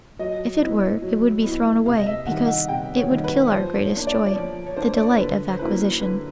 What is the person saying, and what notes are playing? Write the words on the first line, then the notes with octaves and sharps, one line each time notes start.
If it were, it would be thrown away, because it would kill our greatest joy--the delight of acquisition.
F#3 D#5
B3 E4
F#3
B3 E4
C3 F5
D#5
E5
D#3 G3 F#5
F#5
C3 G5
C#5
D#3 G3
B4
C#5
F3 C5
C#5
A#3 D4
D5
D5
F3 C#5
C#5
A#3 D4 C5
D5
C#5
C5
D3 B4
C5
F#3 A#3 C#4 E4 B4
D3 B4